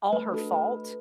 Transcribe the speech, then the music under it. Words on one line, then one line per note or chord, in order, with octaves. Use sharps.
All Her Fault,
A3 B4
D4 F#4 A4
A3 B4